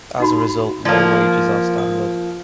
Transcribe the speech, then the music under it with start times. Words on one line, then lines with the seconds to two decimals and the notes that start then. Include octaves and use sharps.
As a result, low wages are standard.
0.20 D#4 F#4 B5
0.85 F3 A#3 D5 A5
1.78 D#6